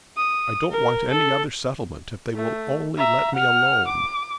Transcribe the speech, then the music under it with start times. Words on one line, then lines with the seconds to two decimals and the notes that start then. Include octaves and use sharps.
I don't want any other settlement,--if they will only let me alone.'
0.17 D#6
0.71 A#4
1.11 A4
2.35 A3
2.97 E5 A#5
3.35 F#5 F6
3.88 D6